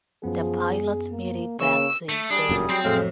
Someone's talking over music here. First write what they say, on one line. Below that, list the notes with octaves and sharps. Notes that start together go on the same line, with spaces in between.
The pilot made it back to his base.
F#2 F3 B3 G#4
A#3
C#3 A#3 C#6 E6
A3
G3 D4 G#4
F1 F#2 A#2
F#3 C4 G5
F2 A2 G#3 F5